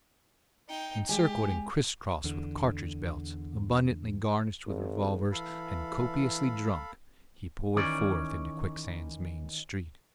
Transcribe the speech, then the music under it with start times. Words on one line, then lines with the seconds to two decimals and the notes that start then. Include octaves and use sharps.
Encircled and criss-crossed with cartridge belts, abundantly garnished with revolvers, and copiously drunk, he poured forth into Quicksand's main street.
0.69 D#4 G5
1.09 G#3 G4 G#5
2.24 E2 D3
4.66 G#1
5.32 E3 A4 F5 B5
7.76 D#3 E3 C#4 D5